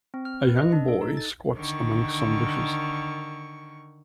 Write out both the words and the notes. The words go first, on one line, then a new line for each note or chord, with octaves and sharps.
A young boy squats among some bushes.
C4
F6
B4
D#5
D4
A4
D#4
A6
D3 D#3 C#6